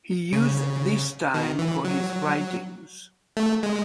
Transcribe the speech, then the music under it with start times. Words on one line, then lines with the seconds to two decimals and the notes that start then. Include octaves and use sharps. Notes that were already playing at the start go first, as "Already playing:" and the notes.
He used this time for his writings.
0.32 C#3
1.34 D#3
1.59 E3
1.85 F#3
3.37 A3
3.63 G#3